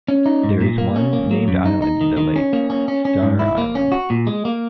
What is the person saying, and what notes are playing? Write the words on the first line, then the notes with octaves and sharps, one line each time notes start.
There is one named island in the lake, Star Island.
C#4
D#4
G#2
A#2
A#3
C#4
A#3
F#3
F#2
D#4
D#4
D#3
D#3
C#4
A#3
C#4
C#4
C#4
G#2
E4
A#3
C#4
F#4
A#2
G#3
A#3